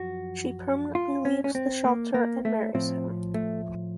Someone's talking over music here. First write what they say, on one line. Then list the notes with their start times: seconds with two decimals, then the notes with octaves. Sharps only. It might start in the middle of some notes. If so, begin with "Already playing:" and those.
She permanently leaves the shelter and marries him.
Already playing: F#2 F3 F#4
0.95 F4
1.25 C#4
1.44 C#4
1.55 C4
1.85 A#3
2.14 A#3
2.45 A3
2.74 A2 F3 C4
3.34 A3